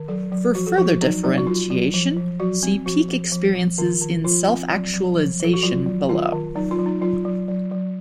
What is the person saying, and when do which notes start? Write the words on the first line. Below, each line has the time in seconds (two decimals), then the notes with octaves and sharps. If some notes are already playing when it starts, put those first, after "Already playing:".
For further differentiation, see "Peak Experiences in Self-Actualization" below.
Already playing: D#3
0.08 F#3 A4
0.32 F#3
0.55 F3 F#4
0.67 A4
0.78 F3 F#4
1.01 F#3 D#4
1.24 F#3 D#4
1.38 F#4
1.47 F#3 F4
1.70 F#3
1.94 F3
2.17 F3
2.40 F#3 F#4
2.63 C4
2.86 F3 F#4
3.09 F3
3.32 F3
3.55 F3
3.78 D#3 F4
4.01 D#3
4.24 F3 F4
4.48 C4
4.71 F#3
4.94 F#3
5.16 F3
5.40 F3 A4
5.54 F#4
5.63 F#3 F4
5.86 F#3
6.09 D#3 F4
6.32 D#3
6.56 F#3 D#4
6.71 F4
6.79 F#3
6.86 D#4
7.02 F#3 F4
7.25 F#3
7.48 F#3
7.71 F#3